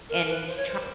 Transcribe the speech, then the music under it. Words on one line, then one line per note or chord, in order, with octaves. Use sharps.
and trying
A#4
B4
C5
C#5
C5